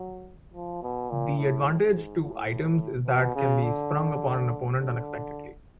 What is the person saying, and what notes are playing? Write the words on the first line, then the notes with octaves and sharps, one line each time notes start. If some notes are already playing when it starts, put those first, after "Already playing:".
The advantage to Items is that can be sprung upon an opponent unexpectedly.
Already playing: F#3
F3
B2
A#2
A2
G#2
A2
B2
C#3
D3
D3